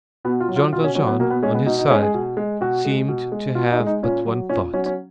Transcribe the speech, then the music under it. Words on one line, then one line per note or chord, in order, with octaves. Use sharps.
Jean Valjean, on his side, seemed to have but one thought.
B2 B3
F4
F#3
F4
B2 F4
C#4
F#3 C#4
B3
B2 A#3
B3
G#3 C#4
B3
B2 D#4
D#4
G#3 C#4
G#4
B2
G#3
B2 F#4
G#3
B2
G#3
B2 F4
D#4
G#3
D#4
A#2 C#4
F#3
A#2 C#4
F#3 C#4
C#4